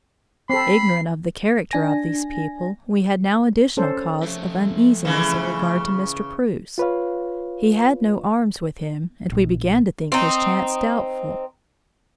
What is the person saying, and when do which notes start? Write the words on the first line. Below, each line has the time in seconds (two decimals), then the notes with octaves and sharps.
Ignorant of the character of these people, we had now additional cause of uneasiness in regard to Mr. Preuss; he had no arms with him, and we began to think his chance doubtful.
0.50 C4 A4 B5 C7
1.71 D4 G#5 A#6
3.77 C#4 A4 C5
4.23 F2 A3
5.05 C#3 E3
6.78 F4 B4 C#5 F5
9.32 A#1
10.12 C4 D#4